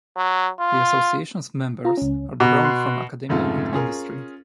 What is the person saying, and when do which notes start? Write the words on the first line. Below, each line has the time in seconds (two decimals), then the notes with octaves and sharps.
The association's members are drawn from academia and industry.
0.17 F#3
0.60 F4
1.85 F4 A#5
1.98 C#2 C#4
2.40 B2 A#5
2.64 C6 F#6
3.29 F1 F2 G#2 C#3 A3 F4
3.73 C#4 F4 G#4 A#4